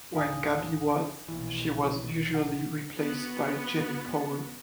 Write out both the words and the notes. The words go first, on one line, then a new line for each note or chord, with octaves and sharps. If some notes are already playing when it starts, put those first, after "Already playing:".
When Gaby was, she was usually replaced by Jenny Powell.
D1 A1 D#3 F5 G#5 D#6
F1 B1 A#2 E3
F#5
B3 F#4